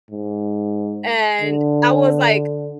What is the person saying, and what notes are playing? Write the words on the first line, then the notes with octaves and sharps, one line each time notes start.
and I was, like,
G#2
D3